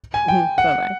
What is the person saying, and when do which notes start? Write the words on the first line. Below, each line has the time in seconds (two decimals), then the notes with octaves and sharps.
Mhm. Bye-bye.
0.14 G#5
0.28 G5
0.58 F#5